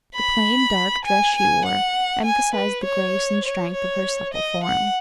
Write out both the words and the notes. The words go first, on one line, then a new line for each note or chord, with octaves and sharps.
The plain dark dress she wore emphasized the grace and strength of her supple form.
B5
G#5
G#5
F#5
G#5
B4
C#5
C#5
C#5
D#5
F#5